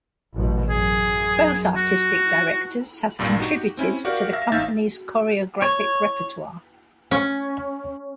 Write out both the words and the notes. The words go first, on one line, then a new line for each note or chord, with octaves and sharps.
Both Artistic Directors have contributed to the company's choreographic repertoire.
A1 F#2 B2
F#2 G#4
F#4
G#1 G2 A#2
D#4 F#4 G4
C4 C#4 E4
F#4 G4 A#4 D5 F5
E5 F5 A#6
A1 D#4 E5 F5 G6 A6
C#5
C#4